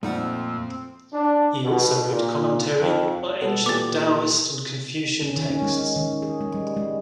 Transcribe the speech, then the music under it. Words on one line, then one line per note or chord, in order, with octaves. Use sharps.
He also wrote commentary on ancient Daoist and Confucian texts.
F2 A#2 G3 A3 C4 D#4 F#5
D4
B2
A#2
F2
B2 B3 A4
A#2 E3 B3 G4 D6 A6
C#4
D#3
C#4
G#3
C#4
D#3
G#4
G#3
G3
G#3